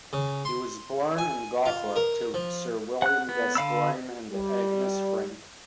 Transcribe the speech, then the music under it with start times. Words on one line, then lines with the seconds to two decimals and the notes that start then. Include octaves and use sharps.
He was born in Gawthorp to Sir William Gascoigne and Agnes Franke.
0.13 C#3
0.45 C6
1.18 G#5
1.66 F4
1.96 A#4
2.34 F3
3.02 F#5 F#6
3.29 B3
3.55 D3 F5 B5 E6
4.32 G3